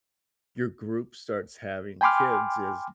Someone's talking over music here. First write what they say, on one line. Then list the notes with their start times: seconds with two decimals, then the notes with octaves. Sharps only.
your group starts having kids is
2.01 G5 G#5 B5 C6 D6 F6